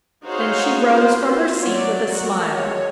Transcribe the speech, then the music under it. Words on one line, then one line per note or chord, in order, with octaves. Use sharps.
Then she arose from her seat with a smile.
D#4 F#4 G#4 C5 C#5 F5
A#3 F4 G4 B4 C5
F4 F#4 C5
F#3 D5
F#4 A#4
G#3 C#5